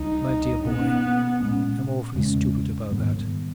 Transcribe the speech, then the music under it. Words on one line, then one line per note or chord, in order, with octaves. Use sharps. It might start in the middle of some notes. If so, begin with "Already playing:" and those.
My dear boy, I'm awfully stupid about that.
Already playing: C#2 C#3 G3 D#4
B2 A#3 B3 C#4
A#2 G#3 C#4
E2 C#3 G#3 C#4
G#2 D#3 G3 B3